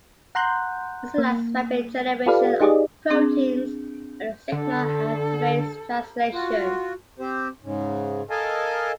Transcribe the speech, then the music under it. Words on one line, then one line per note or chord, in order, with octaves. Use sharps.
This allows rapid generation of proteins when a signal activates translation.
F#5 A#5 C6 F#6 G6
A#3
F4 G4 A4 B4 D5 F5
D#4 G4 G#4 D5 D#5
C4 D4 G#4
D3 A4
F4 F#4
C4 G4 C5
G#2 C#3
A4 A#4 D#5 F5 G#5 A5